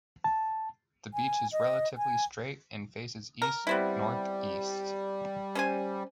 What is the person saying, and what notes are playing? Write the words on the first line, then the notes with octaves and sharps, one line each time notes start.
The beach is relatively straight and faces east-north-east.
A5
G#5
D#5
G#5
A#4
G3 B3 C4 E4
C#4 C5 G#5